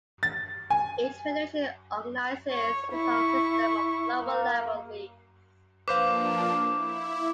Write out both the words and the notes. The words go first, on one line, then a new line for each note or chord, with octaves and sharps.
Each federation organizes its own system of lower-level leagues.
A6
G#5
C#5
E4 C#6
A#3
F3 A#3 D4 B4 C5 F5 D6
E4